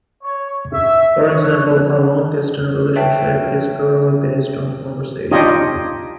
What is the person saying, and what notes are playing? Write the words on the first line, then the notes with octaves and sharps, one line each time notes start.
For example, a long-distance relationship is purely based on conversation.
C#5
E5
C#5
B4 C#5 E5 G5 A5
D4 D#4 F4 G4 C#5 D#5